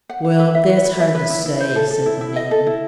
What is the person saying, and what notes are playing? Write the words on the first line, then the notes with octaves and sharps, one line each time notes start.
"Well, that's hard to say," said the man.
F#5
F#5
B4
E5
B4
B4
E5
B4
E4
E4
C5
A4
A4
E4
E4
D#5
A4
E4